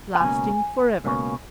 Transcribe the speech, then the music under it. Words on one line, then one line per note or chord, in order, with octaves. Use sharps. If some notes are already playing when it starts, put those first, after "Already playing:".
Lasting forever.
F#5
C#2 B2 A#3 C#4 G#5
C#2 B2 A#3 C#4